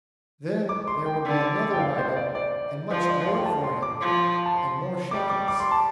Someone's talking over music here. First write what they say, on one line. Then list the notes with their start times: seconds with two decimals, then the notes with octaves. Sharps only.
Then there would be another write-up and much glory for him and more shekels.
0.69 D6
0.88 C6
1.06 G5
1.25 D3
1.74 G5
1.80 F5
1.98 C5
2.16 D5
2.35 D5
2.90 F3 C5
3.09 D5
3.27 F5
3.37 G5
3.46 A5
3.64 C6
3.82 D6
4.01 F3
4.46 A5
4.56 C6
5.11 G3 D6
5.30 D6
5.48 D6
5.60 C6
5.71 A5